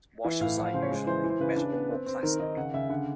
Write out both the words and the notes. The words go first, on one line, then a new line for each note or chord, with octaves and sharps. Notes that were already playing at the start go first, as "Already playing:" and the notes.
Washers are usually metal or plastic.
E3 E5
A2 F5
F3 F#5
F5
C#3 C5
C#5
G#3 C5
E3 C5
E3
C5
C#3 B4
D4
B3
C4
C4
D#3 A#4
D#3 D#5
C#3 F#5
C#3 E5
D3 F#5